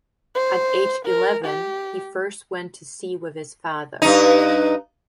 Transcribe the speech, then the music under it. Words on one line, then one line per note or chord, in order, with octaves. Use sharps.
At age eleven he first went to sea with his father.
C5
A#4
G4
G2 D#4